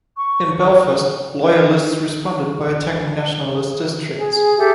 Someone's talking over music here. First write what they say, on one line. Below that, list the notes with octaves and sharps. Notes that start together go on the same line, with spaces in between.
In Belfast, loyalists responded by attacking nationalist districts.
C#6
G#4
G4 A4 E5